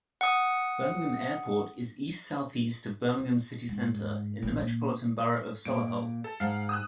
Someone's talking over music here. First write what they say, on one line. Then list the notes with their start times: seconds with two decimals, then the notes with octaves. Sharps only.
Birmingham Airport is east-south-east of Birmingham city centre, in the Metropolitan Borough of Solihull.
0.21 F#5 D#6
3.69 G#2
4.43 A1
4.60 A#2
5.65 A#2 D7
6.24 A4
6.40 G#2 F5 F#5
6.69 D#6 E6 F#6